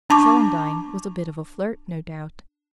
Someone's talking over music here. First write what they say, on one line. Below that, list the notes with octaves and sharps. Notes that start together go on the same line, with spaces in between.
Celandine was a bit of a flirt, no doubt.
D4 A5 C#6 D6